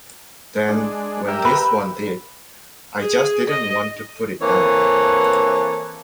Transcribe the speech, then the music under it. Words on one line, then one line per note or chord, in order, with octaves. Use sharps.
Then when this one did, I just didn't want to put it down.
G#3 D4
G4 A#4 E5
B4
G#4
D#5
E3 A#3 C4 A4 B4 C#5